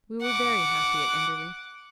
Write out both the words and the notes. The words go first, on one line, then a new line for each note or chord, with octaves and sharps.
We were very happy at Enderley.
F#5 D6